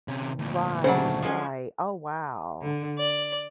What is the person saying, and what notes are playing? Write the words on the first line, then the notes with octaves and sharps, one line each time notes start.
Right, right oh, wow.
C3 C#4
D2 A#2
C#3 F#3 A3 D4 C5
F3 G#3 C#4
D3
D5